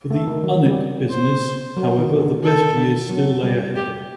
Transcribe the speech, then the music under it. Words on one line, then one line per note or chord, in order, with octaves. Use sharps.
For the Unic business, however, the best years still lay ahead.
A3
D#3
F#3
G3
C5
F#3
D#3
D3
D#3 A4
D3
F#3
G3
G4